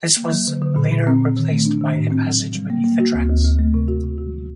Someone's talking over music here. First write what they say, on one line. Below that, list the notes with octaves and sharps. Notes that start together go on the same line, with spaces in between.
This was later replaced by a passage beneath the tracks.
A#3
F#3
D3
D3
A#2
A#2
C4
A#2
D#3
A3
D4
D#3
A2
C4
F#3
F#3
G3
A#3
A#3
F#4
D2
D2
D2
A3
C3
F#4
C3
F#4